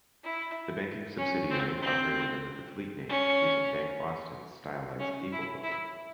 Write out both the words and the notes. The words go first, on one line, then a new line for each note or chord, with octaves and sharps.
The banking subsidiary operated under the Fleet name, using BankBoston's stylized eagle logo.
E4
C#4
C4
C4
C#4
C#4
E4
E4